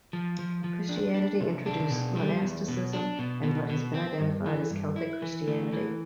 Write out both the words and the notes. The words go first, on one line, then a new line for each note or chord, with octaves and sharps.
Christianity introduced monasticism and what has been identified as Celtic Christianity.
F3
F3
F3
D4
D4
C3
D4
B2
G3
E2
B2
D4
B2
B2
B2
C4
G2
E3
G2
E4
E3
A3
E3